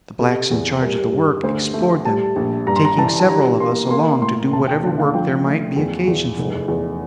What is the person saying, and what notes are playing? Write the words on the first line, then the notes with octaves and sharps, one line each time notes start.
The blacks in charge of the work explored them, taking several of us along to do whatever work there might be occasion for.
C3 A4
E2
G3 A#4
G2
D2 C5
A3
G3 A5
A#1
G2 A#5
C6
A#5
E3 A5
A5
G3 A#5
A#3 C6
A#3 C6
A2 C6
E1 A5
G5
D3 G5
F5
F3 G5
A3
E2
E2
F1
E2